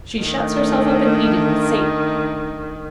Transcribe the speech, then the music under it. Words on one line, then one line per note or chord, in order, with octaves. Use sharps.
She shuts herself up in Eden with Satan.
D#3 A3 D4